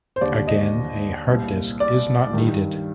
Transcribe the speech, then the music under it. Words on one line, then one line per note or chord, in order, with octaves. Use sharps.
Again, a harddisk is not needed.
C5
D#2 D3 D5
D#5
C2 A#2
D5
G2 D#3